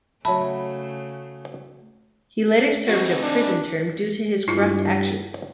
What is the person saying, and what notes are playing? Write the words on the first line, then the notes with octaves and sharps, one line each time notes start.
He later served a prison term due to his corrupt actions.
C#3 F#3 A3 E5 A5 B5
C4 D#4 F#4
D4
G2 E4 F4